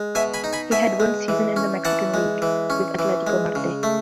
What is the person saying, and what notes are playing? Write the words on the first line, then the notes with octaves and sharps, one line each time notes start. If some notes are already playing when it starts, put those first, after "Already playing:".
He had one season in the Mexican league, with Atletico Marte.
Already playing: G#3
B2 E5 G#5
G#5 B5
D#4
G#5 B5
B2 E5 G#5
G#3
E3
C#4
E3 F#5 A5
G#3
E3
C#4
E3
G#3
C#3
A3